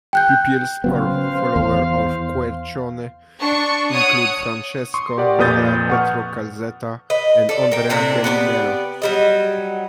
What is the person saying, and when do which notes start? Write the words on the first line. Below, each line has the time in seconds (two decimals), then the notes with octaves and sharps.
Pupils or followers of Squarcione include Francesco Verla, Pietro Calzetta, and Andrea Bellunello.
0.13 G5 F#6 G6
0.84 C#3 F#3 B3 C5 F5
1.56 E2
3.41 D4 C#6
3.92 C#5 F#5 D#6 C#7
4.94 C6 C#6 D#6
5.18 G4 A#4 D5 F#5
5.38 F2 A#2 B4 D#6 G6 A6
5.90 F#5 C#6 F6
7.10 B4 D#5
7.49 A4 D5
7.72 A#4 G5
7.89 A2 C3 C4 D4
8.24 B3 G4 A#4 D5
9.02 F#3 G3 D#5